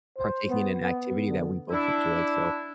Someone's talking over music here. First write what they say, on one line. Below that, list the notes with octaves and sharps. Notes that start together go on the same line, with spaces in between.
partaking in an activity that we both enjoyed, so
C5
B3
B3
D3
D4 E4